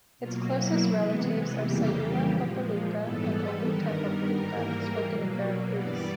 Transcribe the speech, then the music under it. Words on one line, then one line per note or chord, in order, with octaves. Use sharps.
Its closest relatives are Sayula Popoluca and Oluta Popoluca spoken in Veracruz.
B2 F#3 A#3 F4
E4
C3 E3 G#3 B3
F2 C#3 E3 G3 A#3 G4
A#2 F3 G#3
G#2 E3 G3 B3 A4
G2 D#3 G3 B3 A#4
A#4
G#2 E3 G3 A#3
B2 F#3 A#3
G2 E3 G3 B3 D5